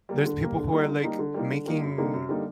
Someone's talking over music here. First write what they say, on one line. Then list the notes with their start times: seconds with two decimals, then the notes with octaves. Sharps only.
there's people who are, like, making,
0.09 G3 A#3
0.25 D3
0.41 G3 A#3
0.56 D3
0.72 G3 A#3 D#4
0.88 D3
1.03 G3 A#3 D#4
1.19 D3
1.34 G3 A#3 D#4
1.50 D3
1.66 G3 A#3 D#4
1.83 F#2
1.98 D3 G3 A#3 D#4
2.14 F#2
2.29 D3 G3 A#3 D#4